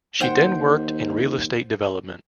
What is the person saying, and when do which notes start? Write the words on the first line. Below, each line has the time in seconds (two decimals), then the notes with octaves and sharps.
She then worked in real estate development.
0.21 D#2 C5 F#5 G5